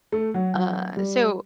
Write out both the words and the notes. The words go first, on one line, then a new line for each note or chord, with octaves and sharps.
uh So
A3
F#3
F#3
G3